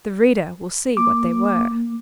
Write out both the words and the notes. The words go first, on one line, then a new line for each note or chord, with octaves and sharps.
The reader will see what they were.
A#3 D6